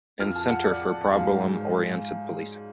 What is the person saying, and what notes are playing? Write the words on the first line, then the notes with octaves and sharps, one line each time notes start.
In Center for Problem-Oriented Policing.
F2 F3 F6
A5
F#5
D5
G#2 F#3 F5